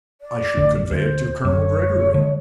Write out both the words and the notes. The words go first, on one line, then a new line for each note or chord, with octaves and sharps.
"I should convey it to Colonel Gregory."
D5
A1 A2 D3
D2 C5
D1 F#2 C#5
D3 G#3